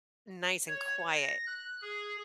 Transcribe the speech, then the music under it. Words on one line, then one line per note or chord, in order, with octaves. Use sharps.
nice and quiet
C#5
A#6
F#6
G#4